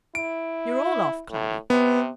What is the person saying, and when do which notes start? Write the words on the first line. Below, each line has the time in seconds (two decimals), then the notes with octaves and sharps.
You're all off, Cloudy.
0.15 E4 D7
1.31 A2
1.70 C3 B3